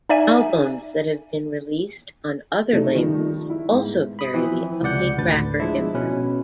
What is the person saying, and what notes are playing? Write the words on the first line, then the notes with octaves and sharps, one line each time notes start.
Albums that have been released on other labels also carry the Uppity Cracker imprint.
D#4 D5 E5 G#5
F#2 C3 A3 C4 D4 D#4
D#3 F3 G3 D#4
E4
G#2 B3
B5 D#6
E3 F3 C4 E4 B4
C#2 C3 D5 F#5 G6
A1 D2 D4 B4 A6
F3 G#3 D4 E4
B2 C#4 B4